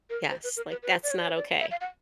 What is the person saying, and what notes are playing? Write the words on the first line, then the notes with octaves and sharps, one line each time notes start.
Yes, like, that's not okay.
A#4
C5
B4
A#4
B4
B4
C5
D5
C#5
D5
C#5
D5
E5
F5
F#5